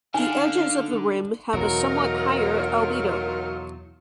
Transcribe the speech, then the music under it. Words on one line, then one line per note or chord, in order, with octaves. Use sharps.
The edges of the rim have a somewhat higher albedo.
D3 D4 D#4 F5 G#5
E2 B2 F#3 A3 D#4 F4 A#4